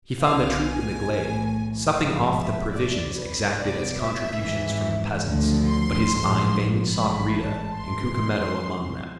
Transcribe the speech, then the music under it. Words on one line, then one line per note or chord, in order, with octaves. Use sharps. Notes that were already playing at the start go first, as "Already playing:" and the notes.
He found the troop in the glade, supping off the provisions exacted as contributions from the peasants; but his eye vainly sought Rita and Cucumetto among them.
B1 B2 F5
G#5
B1 A2 E3
A1 G#2 F3 F5
E5
C2 B2 D5
B4
C2 B2 D5
E5
G#1 G#2 E3
D2 D3 F3
C6
A1 G#2 F3
A1 G#2 E3 B5
A5
G#1 G#2 E3 C6
E2 C3 F3